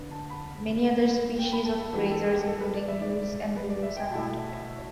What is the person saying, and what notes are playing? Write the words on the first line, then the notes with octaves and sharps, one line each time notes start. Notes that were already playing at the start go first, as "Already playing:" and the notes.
Many other species of grazers, including mules and burros, are not affected.
Already playing: D3 B3 D4
A5
B5
G5
B5
A5
A4
G2 E3 B3 D4 G4
G4
A4
G4
A4
B4
D5
E5
D5
B4
D5
E5
G5
B2 A3 E4 A5